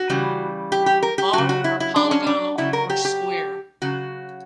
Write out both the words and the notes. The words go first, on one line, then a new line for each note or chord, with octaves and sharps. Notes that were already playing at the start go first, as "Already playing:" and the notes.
All are polygonal or square.
Already playing: F#4
C#3 E3 G3
G4
G4
A#4
G4
C#3 F#3 F#4
F#4
E4
E4
D4
C#4
D4
C#3 F#3 E4
A#4
G4
G4
C#3 F#3 F#4